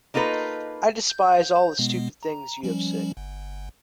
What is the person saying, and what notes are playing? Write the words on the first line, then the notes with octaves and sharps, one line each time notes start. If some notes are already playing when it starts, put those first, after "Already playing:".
I despise all the stupid things you have said.
A#3 D#4 F4 A4 B4
G6
B2 G#3 B3
A#5
F3 G3 C#4
G1